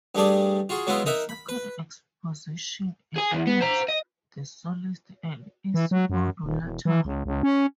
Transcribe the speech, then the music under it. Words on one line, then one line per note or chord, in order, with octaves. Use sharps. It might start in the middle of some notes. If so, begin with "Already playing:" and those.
The second exposition includes the soloist and is modulatory.
G2 G3 A3 G#4 D5
F4 F#4 G#4
F#3 G#3 B3 E4 F4
D#4 A#4 E5 F#5
B5
B4
G#4 G#5
E2 E3
B3
C5 A#5
D#5
E3
F#3
F#2
D#1
E1
E3
C#2
C#2
C#4